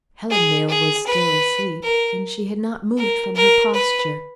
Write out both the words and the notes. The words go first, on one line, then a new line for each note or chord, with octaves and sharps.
Helen Mayle was still asleep, and she had not moved from her posture.
G#4
G#4
B4
A#4
A#4
A#4
B4